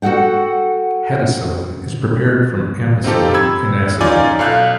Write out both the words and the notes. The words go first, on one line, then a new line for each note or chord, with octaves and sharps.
Hetacillin is prepared from ampicillin and acetone.
F#4 G4 A4 F#5 G5
C4 D#4 F4 G4 A4
B5 E6 G#6
C#4 D#4 F4 D5 G#5
B1 A4 F5 F#6 G6